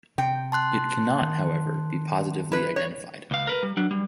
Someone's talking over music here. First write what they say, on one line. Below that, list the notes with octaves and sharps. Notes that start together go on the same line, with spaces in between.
It can not, however, be positively identified.
C3 G5
A5 C6 F#6
D#3
E4 B4
C#5
C#2 F5
A#4 B4
G3
F#3 D4
G3